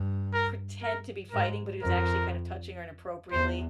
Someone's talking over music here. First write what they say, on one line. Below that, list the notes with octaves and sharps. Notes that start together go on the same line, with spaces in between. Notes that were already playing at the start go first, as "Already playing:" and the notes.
pretend to be fighting, but he was actually kind of touching her inappropriately,
Already playing: G2
A#4
A#4
G#2 A#4
F2 A#4
E2 C5